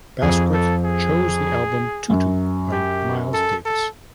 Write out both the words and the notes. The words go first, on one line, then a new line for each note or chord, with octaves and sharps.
Basquiat chose the album "Tutu" by Miles Davis.
F2 G#4
A4
G#4
F#2
G4
A4
A4